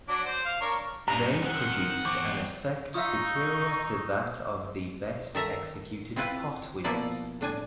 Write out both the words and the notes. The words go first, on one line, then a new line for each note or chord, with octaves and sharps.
They produced an effect superior to that of the best executed pot wheels.
F#3 D4 D6
C5
F5
D4 A#4 C#5
G2 G3 C#4 A#5
F#2 D#3 C4 F#5
E2 C4 C#6 D6 G6
D#4 F4 E5 F5 C#6 D#6 E6
D#3 A4 E5 A#5
C4 E4 F4 B4
B2 F3 A#3 E4 D5
A2 D4 G#5